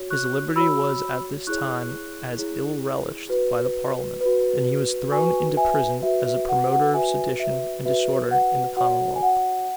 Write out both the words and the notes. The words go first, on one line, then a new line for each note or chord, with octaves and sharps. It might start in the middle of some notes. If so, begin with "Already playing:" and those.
His liberty was at this time as ill relished by the parliament; and he was thrown into prison, as a promoter of sedition and disorder in the commonwealth.
Already playing: F#4 C#5
C#6 F#6
F#4 C#5 B5 E6
E4 G#4 C#5 C#6 F#6
E4 G#4 C#5
F#4 B4
B4
F#4
F#4 B4 G#5 C#6
E5 G#5
F#4 B4 E5
E5
F#5
F#5
F#4 B4 E5 G#5
E5
F#4 B4 E5
F#5
F#4 C#5 F#5
G#5
F#5